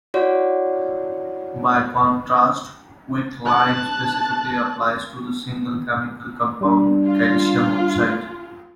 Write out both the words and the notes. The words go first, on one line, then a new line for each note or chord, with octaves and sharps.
By contrast, "quicklime" specifically applies to the single chemical compound calcium oxide.
E4 F#4 C#5 D5 F#5
A5 F#6
G3 D4
F4